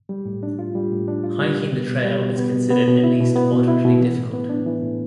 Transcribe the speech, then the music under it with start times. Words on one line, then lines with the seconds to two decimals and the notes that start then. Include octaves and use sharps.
Hiking the trail is considered at least moderately difficult.
0.09 G3
0.26 A2
0.43 D4
0.59 F4
0.75 G3
0.92 A2
1.08 D4
1.24 F4
1.40 G3
1.57 B2
1.73 B3
1.89 B2
2.05 G3
2.22 B2
2.38 B3
2.55 B2
2.70 B3
2.88 B2
3.03 E4
3.20 B2
3.36 B3
3.52 B2
3.68 E4
3.85 B2
4.01 E3
4.17 A2
4.33 B3
4.49 D4
4.66 E3
4.83 A2